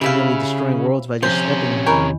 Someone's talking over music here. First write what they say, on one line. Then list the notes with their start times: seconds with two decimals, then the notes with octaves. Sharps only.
and literally destroying worlds by just stepping.
0.01 C#3 E4 G4 E5 F5
1.23 C3 F3 C#4 C5
1.86 E2 D#3 A#4 C#5 B5